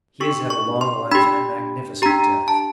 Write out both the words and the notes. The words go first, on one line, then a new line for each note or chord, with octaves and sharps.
He has had a long life and a magnificent death!
D4 G4 C#6
C#6
C6
D4 G4 B5
D4 G4 A#5
A5